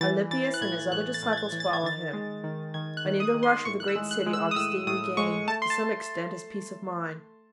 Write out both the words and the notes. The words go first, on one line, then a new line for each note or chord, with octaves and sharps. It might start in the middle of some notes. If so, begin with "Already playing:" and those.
Alypius and his other disciples followed him, and in the rush of the great city Augustine regained, to some extent, his peace of mind.
E3 A6
E3 A6
F#6
A2 G#6
A2 F#6
A6
A2
G#6
A6
E3
A6
G#6
D#3 A6
G#3
D#3
D#3 G#6
F#6
D#3
D#6
D#3
C6
A2 C#6
F#6
E6
G#3
F#6
G#3
E6
D#6
A2 E6
A2 D#6
G#3 C#6
A3 A5
C6
A5